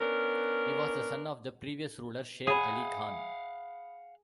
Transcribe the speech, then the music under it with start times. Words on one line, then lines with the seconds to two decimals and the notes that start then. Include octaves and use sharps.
He was the son of the previous ruler, Sher Ali Khan.
0.01 B3 C#4 D4 A#4
2.47 G#4 F5 F#5 B5 D#6